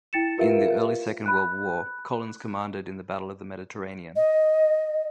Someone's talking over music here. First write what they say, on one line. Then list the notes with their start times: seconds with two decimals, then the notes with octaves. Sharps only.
In the early Second World War, Collins commanded in the Battle of the Mediterranean.
0.13 E4 G5 A6 C#7 E7
0.38 F4 G4 A#4 B4 E5 F5
1.26 B5 F#6
4.16 D#5